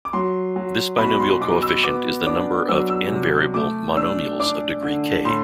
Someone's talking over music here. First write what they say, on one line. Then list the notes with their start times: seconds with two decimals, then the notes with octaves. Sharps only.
This binomial coefficient is the number of "n"-variable monomials of degree "k".
0.05 D6
0.13 F#3 C6
0.56 F#3
0.98 B2 B5
1.20 C6
1.41 B2 D6
1.62 E6
1.84 B3 D6
2.26 D4 D6
2.69 F#3 E6
2.90 E6
3.11 C3
3.54 A3 D6
3.97 D4 E6
4.40 D4 D6
4.82 D3
5.25 A2 C6